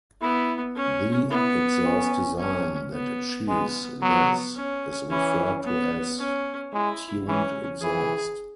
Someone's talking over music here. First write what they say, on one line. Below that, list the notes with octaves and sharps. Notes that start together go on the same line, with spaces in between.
The exhaust design that achieves this is referred to as "tuned exhaust".
B3 E4
C#4
B3 E4
C#4
C#4
B3
G#3 B3
F#3 B3
C#4
E3 C#4
B3
C#4
G#3 E4
E3 C#4
E3 G#4